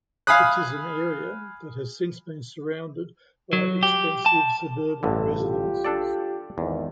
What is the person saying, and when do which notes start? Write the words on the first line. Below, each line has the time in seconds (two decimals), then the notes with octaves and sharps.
It is an area that has since been surrounded by expensive suburban residences.
0.27 F5 G#5 B5 D#6 F#6
3.53 F#3
3.83 G4
4.26 A5
5.03 A1 G2 D3
5.37 F4 G4
5.85 D4 A4 D5
6.58 G#1 E2 G#2 D#3